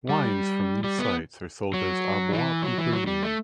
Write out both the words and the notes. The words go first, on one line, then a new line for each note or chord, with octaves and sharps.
Wines from these sites are sold as Arbois-Pupillin.
G3
G3
B3
F#3
E3
F#3
E3
F#3
G3
A3